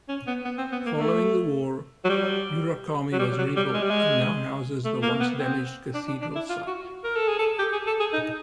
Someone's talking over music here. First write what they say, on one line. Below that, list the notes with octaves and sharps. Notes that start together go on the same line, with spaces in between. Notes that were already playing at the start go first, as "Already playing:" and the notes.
Following the war, Urakami was rebuilt and now houses the once-damaged Cathedral site.
C#4
B3
B3
C4
B3
A#3
A3
F#3
G3
F#3
G3
F#3
G3
G#3
G3
G#3
A3
A#3
B3
C4
D4
D4
D4
E4
F4
F#4
A#4
A4
G#4
A4
G4
G#4
A4
G#4
D#4